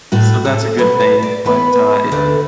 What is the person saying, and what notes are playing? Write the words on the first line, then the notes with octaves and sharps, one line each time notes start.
so that's a good thing, but, uh, it
A2 A3 F#4
A4
B2 F#3 B3 B4
B4
D5
E2 E3 B3 B4
D2 D3 A3